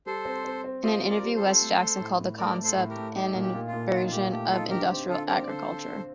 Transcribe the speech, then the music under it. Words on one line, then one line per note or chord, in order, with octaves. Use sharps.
In an interview, Wes Jackson called the concept an inversion of industrial agriculture.
G3 A4 C5
C4
C4
C4
F4 C5 D#5
F4
A#4 D5
G3
A4 C5
C4
A3
A3
A2
A2
A3 A#4 D5
A3
A4 C5
A2
G4 A#4
A3
D#4 G4
A#2
G4
A#2
F4
A#2
D#4 F4
F4
A#2 G4
A3 G4
D#4 F4 A4
D3 G4 A#4
C4 G4
D3 F4 A4
C4 G4 A#4
D5
D3 A4 C5